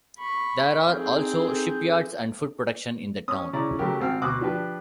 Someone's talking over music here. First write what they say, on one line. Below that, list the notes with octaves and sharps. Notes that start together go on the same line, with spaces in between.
There are also shipyards and food production in the town.
B5 C#6
C4 D#4 G#4 A4 G6
C#4 D#6
C#3 C#4 E4 D5 A#5
C#3 F#3 A3 G4 A#4
G#1 C4 F6
D2 B2 F#4 D6 D#6 F#6
F3 D4 G4 B4